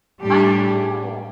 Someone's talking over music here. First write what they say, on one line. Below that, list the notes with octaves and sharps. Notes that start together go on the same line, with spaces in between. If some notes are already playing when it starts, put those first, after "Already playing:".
I know.
A2 G3 D4 G4